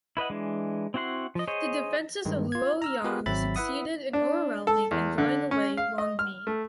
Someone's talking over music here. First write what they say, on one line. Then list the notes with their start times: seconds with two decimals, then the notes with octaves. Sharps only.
The defences of Luoyang succeeded in overwhelming and driving away Wang Mi.
0.17 E4 B4 D#5 F#5
0.30 E3 G#3 D4
0.94 C4 E4 F#4 F#5 C6
1.35 F3 D#5
1.47 G#4 C5 C#5 D#5
2.25 G2 D#3 G#3
2.52 F4 G#6
2.82 A#5 E6 F6
3.04 B3 F4 G4 G#4 A#4 B4
3.26 G#1 F#3 C4 E5 B5 A6
3.56 E4 B4 E5 F#5 D#6
4.13 D4
4.67 A4
4.91 E2
5.18 D3
5.51 C#4
5.77 F5
5.98 D#5
6.19 F6
6.47 A3